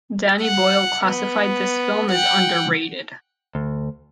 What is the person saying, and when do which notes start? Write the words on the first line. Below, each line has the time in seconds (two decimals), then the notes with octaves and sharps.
Danny Boyle classified this film as underrated.
0.42 F#5
1.05 B3
2.11 F#5 G5
3.55 D2